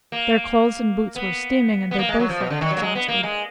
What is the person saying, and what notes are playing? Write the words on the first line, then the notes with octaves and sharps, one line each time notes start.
Their clothes and boots were steaming, and they both looked exhausted.
A#3
B3
B3
A#3
G#3
F#3
F3
B2
D3
D#3
F#3
A#3
G#3
B3
A#3
G#3